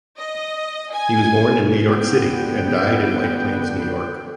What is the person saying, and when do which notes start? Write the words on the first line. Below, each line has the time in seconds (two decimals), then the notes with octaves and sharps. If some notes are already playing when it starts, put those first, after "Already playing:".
He was born in New York City and died in White Plains, New York.
0.18 D#5
0.92 G#5
1.87 D3 B3 B4 G5